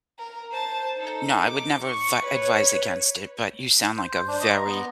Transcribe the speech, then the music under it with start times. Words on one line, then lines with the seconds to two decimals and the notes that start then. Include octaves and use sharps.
No, I would never advi advise against it, but you sound, like, a very
0.19 A#4
0.52 C5 A5
0.98 D#4 A4
1.45 D6
1.82 C#6
2.22 B4 C#5
3.97 C5
4.28 D4
4.40 D#5
4.53 A#5
4.66 B3